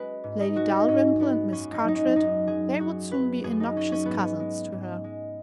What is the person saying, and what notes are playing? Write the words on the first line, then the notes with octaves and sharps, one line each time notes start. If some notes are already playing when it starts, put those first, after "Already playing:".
Lady Dalrymple and Miss Carteret--they would soon be innoxious cousins to her.
Already playing: G#3 C#4 F#4 B4
G#2
D#4
G#3 F#4
D#4
G#2 C#4
G#3 B3
F#2 C#4
D#4
F#3 D#4
C#4
F#2 D#4
F#3 G#4
F#2 F#4
F#3 B4
F#2 G#4
D#4
F#3 C#4
C#4
G#2 B3
C#4
G#3
G#2
G#3